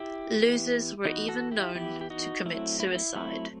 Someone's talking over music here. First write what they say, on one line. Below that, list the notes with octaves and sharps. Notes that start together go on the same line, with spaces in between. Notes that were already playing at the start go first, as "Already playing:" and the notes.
Losers were even known to commit suicide.
Already playing: E4 G4
E3 B3
E3 B3 D#4 F#4
F#4 A4
E4 G4
E3 B3 E4 G4
G4
D#4 F#4
F#3 A3 C4 E4
E4
F#4
E4
F#3 A3 C4 E4